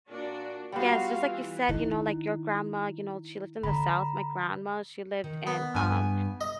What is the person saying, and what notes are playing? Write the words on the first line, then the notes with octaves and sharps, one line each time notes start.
yes just like you said, you know, like, your grandma, you know, she lived in the South, my grandma, she lived in, um,
A#2 D4 F#4 D5
G3 B3 F4 F#4 F5
E3
D#3 E4
D3 A#5 B5
D#3
B3
G2 G#5
D#5